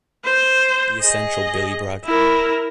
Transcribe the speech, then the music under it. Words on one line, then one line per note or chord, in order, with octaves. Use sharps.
The Essential Billy Bragg.
C5
G#4 D#5
E4 A#4